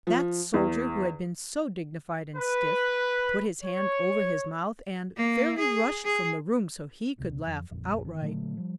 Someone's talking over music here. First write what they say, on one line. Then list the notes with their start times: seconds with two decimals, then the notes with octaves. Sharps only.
That soldier, who had been so dignified and stiff, put his hand over his mouth and fairly rushed from the room so he could laugh outright.
0.07 F3
0.54 E2
2.37 B4
3.63 C#5
5.17 A#3
5.58 G#4
6.04 G#4
7.18 E1 C#2 C3
7.47 F2
7.71 D#1 A#1 F2
8.05 G1 D#3
8.21 A#2 D3 F#3 A3
8.57 F3 G3